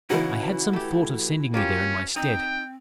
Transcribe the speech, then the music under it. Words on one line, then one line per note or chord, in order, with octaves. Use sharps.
I had some thought of sending you there in my stead.
C#3 E3 C#4 D#4 E4 F#4
A3 G4
A#3 C#4 F4 G4
C4 D#4 G5